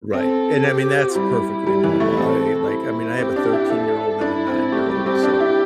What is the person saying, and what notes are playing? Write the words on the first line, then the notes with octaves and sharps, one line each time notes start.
Right, and, I mean, that's perfectly normal. I, like, I mean, I have a thirteen-year-old and a nine-year-old, so
C4 A4
G4
G3 E4
G3
E3
A3
C4 A4
E4
C4 G4
D4
E4
E4 A4
D4 E4
C4
A3 G4
G3
C4
D4
E4